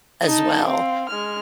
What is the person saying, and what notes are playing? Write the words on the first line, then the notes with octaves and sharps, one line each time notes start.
as well.
D#4 A5
C4 F5
G#3 F6